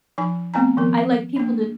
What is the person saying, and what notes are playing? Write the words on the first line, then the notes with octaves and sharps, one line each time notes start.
I like people to
F3 D#4 G#5
A3 B3 C4 G#5 A#5
D#3 F3 B3 A#4
A#3 D4